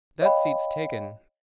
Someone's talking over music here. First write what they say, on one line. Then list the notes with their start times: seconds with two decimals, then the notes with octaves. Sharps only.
That seat's taken.
0.22 C#5 D#5 F5 G5 B5